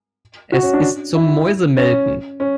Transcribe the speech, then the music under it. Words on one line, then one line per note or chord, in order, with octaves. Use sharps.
Es ist zum Mäusemelken.
F#4
C#4
D4
E4
C#4
C#4